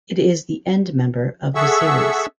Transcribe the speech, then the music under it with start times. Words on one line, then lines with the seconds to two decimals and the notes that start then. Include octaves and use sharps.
It is the endmember of the series.
1.55 G#4 A4 E5 F#5 C#6 E6